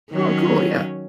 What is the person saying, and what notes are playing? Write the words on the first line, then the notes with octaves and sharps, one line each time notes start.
Oh, cool, yeah.
D#3 F#3 C#4